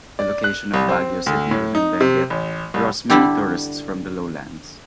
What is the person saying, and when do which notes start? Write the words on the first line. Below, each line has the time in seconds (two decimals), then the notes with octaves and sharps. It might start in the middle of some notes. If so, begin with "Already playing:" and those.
The location of Baguio City within Benguet draws many tourists from the lowlands.
0.19 D5
0.44 F#6
0.74 C2
0.89 C4
1.26 D2
1.51 A2
1.75 D#4
2.01 C3
2.30 A1
2.74 C2
3.10 D3 G3 D4 E4 G4